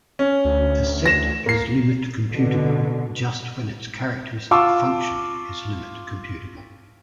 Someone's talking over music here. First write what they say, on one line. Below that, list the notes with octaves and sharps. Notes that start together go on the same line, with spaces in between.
A set is limit computable just when its characteristic function is limit computable.
C#4
D2
A#6 E7
A#3 C7
B2 D3
F4 F5 A5 C#6 D6 E6